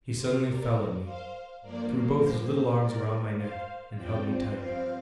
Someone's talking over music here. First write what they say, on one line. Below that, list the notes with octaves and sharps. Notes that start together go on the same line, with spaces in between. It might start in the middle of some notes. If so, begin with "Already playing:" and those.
He suddenly fell on me, threw both his little arms round my neck and held me tight.
G4 C5
A#4 D5
C5 F5
G2 F3 A#3 A#4 D5
G4 C5
G4 C5
A#4 D5
C5 F5
G2 F3 C4 D5 G5
C5 F5